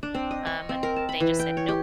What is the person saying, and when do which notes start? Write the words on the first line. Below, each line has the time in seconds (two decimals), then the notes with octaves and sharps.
Um, and they just said, nope.
0.03 D4
0.14 C4
0.31 D#5
0.47 C#6
0.69 C4
0.83 A#4
0.96 A5
1.09 B5
1.20 E3
1.39 G5
1.57 C#5
1.69 G4